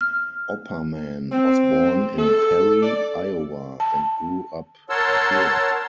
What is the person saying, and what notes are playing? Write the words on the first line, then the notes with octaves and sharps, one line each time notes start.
Opperman was born in Perry, Iowa, and "grew up poor".
F6
C4
A4
D5
A5
A#4 C#5 F#5 A5 C6 E6